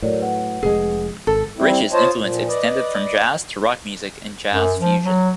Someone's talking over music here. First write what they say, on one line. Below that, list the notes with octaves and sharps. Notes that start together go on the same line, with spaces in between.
Rich's influence extended from jazz to rock music and jazz fusion.
A2 F#3 A#4 C#5 D5
B4 F#5
F1 G#3 G#4
G#1 A4
G3 C4 E4
F4 C5 C#5 D#5 A5
A#2 F3
B4 D5 D#5
F#2
F3
F#3